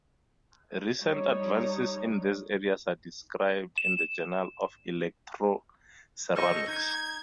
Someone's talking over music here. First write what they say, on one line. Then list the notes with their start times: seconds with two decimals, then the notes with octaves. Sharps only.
Recent advances in these areas are described in the Journal of Electroceramics.
1.00 G3 D#4 C#5
3.78 E7
6.35 A4 C5 D#5 C#6
6.68 D#4 G#6